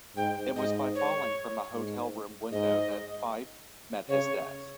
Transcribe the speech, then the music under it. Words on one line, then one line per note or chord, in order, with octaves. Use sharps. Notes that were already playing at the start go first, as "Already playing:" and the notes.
It was by falling from a hotel room window that Fyffe met his death.
G#2 G5
G#2 D#5
C#5
G#2
G#2 D#5
C#3 C#5